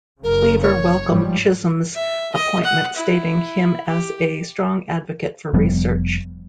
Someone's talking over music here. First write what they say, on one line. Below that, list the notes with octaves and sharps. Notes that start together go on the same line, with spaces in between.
Cleaver welcomed Chisholm's appointment stating him as a strong advocate for research.
F#1 C#3 A#4
C#5
G#2 F3 G3
E5
D#5
F#5
E4
G4
F1 F3 G3 B3